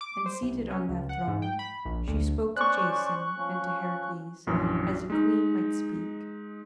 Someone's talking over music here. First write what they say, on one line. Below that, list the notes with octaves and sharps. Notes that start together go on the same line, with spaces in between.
And seated on that throne she spoke to Jason and to Heracles as a queen might speak.
D6
C5
C2
C#4
C#2
F#5
G#2
G5
B5
A#1
D2
C#4 C5 D5 C#6 F#6
F3 C#4
A#1 F#2 E3
G#3 D#4